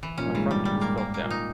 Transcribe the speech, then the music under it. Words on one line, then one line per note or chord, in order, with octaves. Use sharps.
My front tooth felt down.
E3
A#2 C#4
G2
G#2 E3
G2 G3
G3
G#2
A#3
G#2 A#3
A#3
A#2
D#4